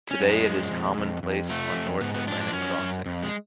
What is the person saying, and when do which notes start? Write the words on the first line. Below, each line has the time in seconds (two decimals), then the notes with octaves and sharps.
Today it is commonplace on North Atlantic crossings.
0.11 C#4
0.20 F#2
0.29 G#3
0.46 F3
0.72 F2
0.98 F2
1.23 F2
1.49 F3 A3
1.76 F2
2.01 G#2 B3
2.14 B3
2.27 F3 D4
2.41 D4
2.53 F#2 C#4
2.79 F#2
3.06 F2
3.23 G#3